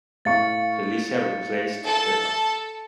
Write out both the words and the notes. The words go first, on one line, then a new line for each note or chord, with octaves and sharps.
Felicia replaced Fefa.
A2 F5 C#6 A6 C#7
A4 A5